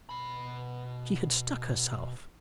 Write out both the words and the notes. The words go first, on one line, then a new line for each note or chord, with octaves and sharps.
She had stuck herself.
B2 B5